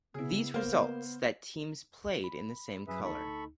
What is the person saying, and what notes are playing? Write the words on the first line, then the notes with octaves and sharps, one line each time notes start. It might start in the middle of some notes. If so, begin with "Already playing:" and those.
These results that teams played in the same color.
C#3 B3 E4 G#4
A#3 B3 C5 F5
B5
F#2 F#3 G#4 B4 E5
D2 D#4 A4 B5 C#6